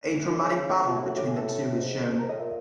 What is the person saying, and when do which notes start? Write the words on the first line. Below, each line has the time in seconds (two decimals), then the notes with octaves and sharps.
A dramatic battle between the two is shown.
0.09 E4
0.24 D#3
0.39 C#3
0.85 B2 F4
0.96 E4
1.00 A2
1.06 F#4
1.16 A2 G4
1.27 G#4
1.36 A4
1.47 A4
1.77 G#2
2.08 G#2 A4
2.18 G#2 A#4
2.29 A2 D#5
2.39 A#2 E5